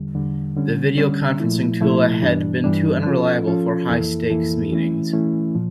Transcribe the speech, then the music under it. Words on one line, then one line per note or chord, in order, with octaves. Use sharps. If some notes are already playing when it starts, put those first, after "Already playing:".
The video conferencing tool had been too unreliable for high-stakes meetings.
Already playing: E2 D3 G3
E2 D3 G3
D3 G3 C#4
D3 G3 C#4
A#2 F3 A3 E4
A#2 F3 A3 E4
G2 E3 G3 D4
G2 E3 G3 D4
F3 C#4 F4 A4
F3 C#4 F4 A4
F2 E3 A#3 E4 A4
F2 E3 A#3 E4 A4
E3 A3 C#4 E4
E3 A3 C#4 E4
A#2 F3